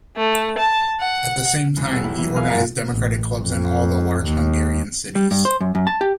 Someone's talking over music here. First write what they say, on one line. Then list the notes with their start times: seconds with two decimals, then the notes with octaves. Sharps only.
At the same time, he organized democratic clubs in all the large Hungarian cities.
0.16 A3
0.58 A5
1.00 F#5
1.76 E2 G#3
1.91 B1 G3 F#5 E6 E7
2.04 E4
2.18 E3
2.36 G#3 E4 G#4 A#4 F5 G#5
2.50 F#1 G2 G#3 F#5 A#5
2.88 A1
3.42 F2
4.26 D#2
5.15 G3
5.31 G2
5.45 C5
5.61 F#2
5.75 F#2
5.87 A5
6.01 G4